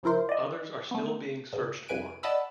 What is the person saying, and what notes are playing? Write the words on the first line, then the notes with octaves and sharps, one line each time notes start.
Others are still being searched for.
C#2 F3 E4 A#4 C5
D5 D#5
A3 B3
C#2 G#2
C2 F2 B4 G#5 D7 D#7
D5 D#5 F#5 A5 B5 E6